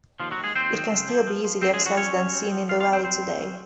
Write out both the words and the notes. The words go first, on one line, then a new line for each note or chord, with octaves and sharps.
It can still be easily accessed and seen in the valley today.
D#2 F3 F4
F#3 F#4
D#2
G#3 G#4
D#2 C4 C5
D#3
C#3
F3
F3
F3
F#2 C4 C5
G#3 G#4
F3
F#3 F#4
C4 C#4 C#5
F#2
C4
F3
F2 F4 F5
F4 F5
F2
C4 C5
F2 C4 C5
F2
C#3